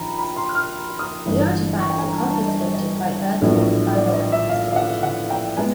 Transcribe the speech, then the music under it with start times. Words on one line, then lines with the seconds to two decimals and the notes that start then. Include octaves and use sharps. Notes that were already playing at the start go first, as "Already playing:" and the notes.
The artifacts are confiscated by EarthForce Bioweapons Division.
Already playing: A#1 D#3 A#5 B5
0.18 B5
0.36 C6
0.49 F#6
0.55 F6
0.99 D#6
1.26 G1 G2 E3
1.80 C#6
1.90 G5
1.98 G#5
2.08 A#5
2.16 A5
2.34 A5
2.48 D#5
2.61 D#5
2.74 D#5
3.41 A#1 A2 F#3 B3 D4
3.95 D5
4.14 D#5
4.32 E5
4.49 F5
4.72 F5
4.76 F#5
5.03 F#5
5.30 G5
5.57 G#3 B3 G#5